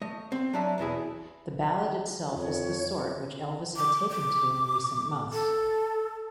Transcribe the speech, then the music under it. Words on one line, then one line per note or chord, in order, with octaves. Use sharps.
The ballad itself is the sort which Elvis had taken to in recent months.
A3 D#5
C4
F#3 D4 E5 A#5
E2 B2 E4 G#4
F2 C#5
D6
D6
A4